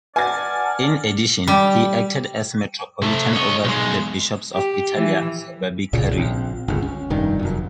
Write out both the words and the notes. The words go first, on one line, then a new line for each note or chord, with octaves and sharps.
In addition he acted as metropolitan over the bishops of Italia Suburbicaria.
B4 D5 F#5 G#5 A5 F6 A6
G3
C3 A3
C#5 D#5
B1 G#3
G4
E3
C2 A#2 C#3
A#1 C4
G1 C#2
C#4
F1 G2 D#3
F1 F#2